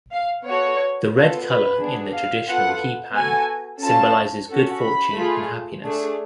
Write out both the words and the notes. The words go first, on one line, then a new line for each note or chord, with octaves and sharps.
The red color in the traditional hee pan symbolizes good fortune and happiness.
F5
B3 F#4 A4 C#5
B3 F4 A4
B4
B3 D4 G#4
F5
B3 F4 A4 F#5
B3 F#4 A4 G#5
C#4 F4 A4 A5
C#4 F#4 A4
B5
A3 F4 G#4
A3 D4 G#4